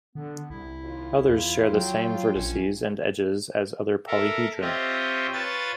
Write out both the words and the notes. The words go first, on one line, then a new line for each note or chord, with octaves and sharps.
Others share the same vertices and edges as other polyhedron.
D3 B3
C2 E4
D#2 F4
E2 F4
F#3 G5
A#1 C#4
A4 A#4 E5
C4 F4 G4 C#5 D#5 E5
F4 B4 C#5 A5 G#6 A6